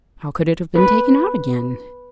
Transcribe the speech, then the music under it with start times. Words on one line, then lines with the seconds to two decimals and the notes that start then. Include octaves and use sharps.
How could it have been taken out again?
0.75 B4